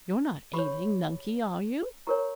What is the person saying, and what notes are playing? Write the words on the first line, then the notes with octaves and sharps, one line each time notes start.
You're not ailing, Nunkie, are you?
G4 C#5 B5
G4 A#4 C#5 A#5